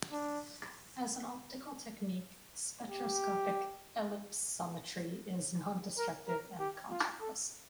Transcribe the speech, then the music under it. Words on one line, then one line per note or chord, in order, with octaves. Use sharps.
As an optical technique, spectroscopic ellipsometry is non-destructive and contactless.
D4
G4
A#4
A#4
G4
F4
A4